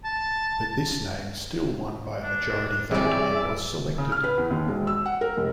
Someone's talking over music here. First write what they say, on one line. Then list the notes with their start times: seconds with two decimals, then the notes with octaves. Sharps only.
But this name still won by a majority vote and was selected.
0.05 A5
2.23 D4
2.91 C3 E3 G3 C#4 G#4 D5 E5
3.98 C#3
4.12 F6
4.24 B4
4.38 E2
4.51 D#2
4.68 E1
4.87 E6
5.06 F#5
5.21 A#4
5.37 F1